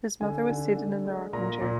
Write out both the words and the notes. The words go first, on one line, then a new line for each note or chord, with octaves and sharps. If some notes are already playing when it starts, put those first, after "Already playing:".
His mother was seated in the rocking-chair.
D3 G#5
D3
D3
G#3
A#2 A#5
A#2